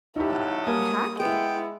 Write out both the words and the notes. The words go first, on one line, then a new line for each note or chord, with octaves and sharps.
uh, hacking
F#3 C#4 D#4 E4 G4 A4
G3 A#3 G#5 D#6
G#3 B3 E4 G5